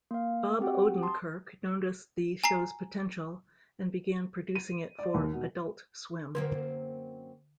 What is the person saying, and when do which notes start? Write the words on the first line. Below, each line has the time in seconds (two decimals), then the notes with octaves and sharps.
Bob Odenkirk noticed the show's potential, and began producing it for Adult Swim.
0.11 A#3 F5
0.60 C4 F#4 G4 F#5 G5
1.03 A5 C6 D#6
2.44 G#5 A#5 C7
4.55 D#7
4.99 D5
5.14 D#2
5.33 B2
6.35 F#2 D3 A#3 C4